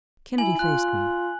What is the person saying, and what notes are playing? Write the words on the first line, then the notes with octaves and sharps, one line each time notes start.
Kennedy faced me.
E4 G#5 F#7
F4 F#6